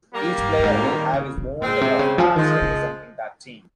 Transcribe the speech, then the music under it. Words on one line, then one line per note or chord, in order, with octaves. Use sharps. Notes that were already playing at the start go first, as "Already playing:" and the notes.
Each player will have his own deck of cards representing that team.
G3 A#3
G2
G2
G#2
D#3
C#3
C3
A#2 G#3 C4
C3
C#3
F3
D#3 F3 G#3
C#3